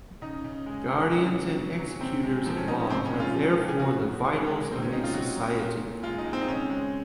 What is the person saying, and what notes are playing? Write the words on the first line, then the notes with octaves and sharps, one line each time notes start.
Guardians and executors of laws are therefore the vitals of a society.
C#3 D#4
C#3
G#3
G#3
C3 C#4
C3
F#3
F#3
C3 C4
G#3
F3 C4
C#4
C3 D#4
C#4
C3 C4
C#4
G#3
F4
F3
C3
G#4
C#3 F#4
C#3
G#3 G#4
G#3
A#2 C4
C#4
A#2 D#4
F4
F#3 F#4
F#3
A#2
A#2
G#3 F4
D#4
G#3
C4
D#4
C#3 C#4
G#3